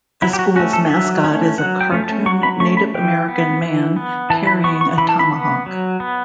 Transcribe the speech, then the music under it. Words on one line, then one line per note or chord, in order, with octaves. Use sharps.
The school's mascot is a cartoon Native American man carrying a tomahawk.
F#3 E4
G4
F#4
A3 C#4 F#4
A4
F#3 E5
A3 C#4
F#3 F#5
G5
A3 C#4
A5
F#3 C#6
B5
A3 C#4 C#6
B5
E3 G5
B3
E3
B3
E3 A5
B5
B3 C#6
C#6
E3 B5
A5
B5
B3
F#3
B3